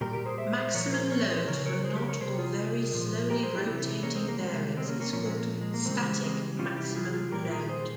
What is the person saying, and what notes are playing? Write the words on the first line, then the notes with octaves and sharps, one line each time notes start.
Maximum load for not or very slowly rotating bearings is called "static" maximum load.
A#2 G3 G4 A#4
G4 A#4
G#4 C5
C5 E5
C5 E5
A#2 F3 A#4 C#5
G#4 C5
A#4 C#5
G#4 C5
C#3 F3 A#4 C#5
A#4 C#5
G#4 C5
G4 A#4
A#4 C#5
C3 G3 G#4 C5
F4 G#4
A#2 F3
G4 A#4
G#4 C5
E4 G4
C3 E3 G3 C4 E4
A#3 C#4
G#3 C4
A#3
C3 G3 G#3
G#3 C4
A#3 C#4
A#3 C#4
A#2 F3 A#3 C#4
G#3 C4
A#3
G#3
A#3
C#3 E3 G3 G#3 C4
G#3 C4
C3 E3 G3 C#4 F4
E4 G4
F4 G#4
F4 G#4
A#2 G3 G4 A#4
F4 G#4
G#4 C5